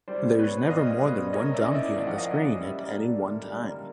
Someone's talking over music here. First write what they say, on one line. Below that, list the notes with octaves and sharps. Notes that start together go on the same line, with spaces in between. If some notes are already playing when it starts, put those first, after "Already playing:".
There is never more than one donkey on the screen at any one time.
G3 C5 D5
B3
B4 C#5
D4
A#2 D#5 F5
G3
B3
A#3 C#5 D#5
C#4 D5 E5
D#5
E4 D5 E5
F3 F5
F#5
A#3 D#5 F5
C#4
G3 D5 E5
A#3
D4
D3
G3
A#3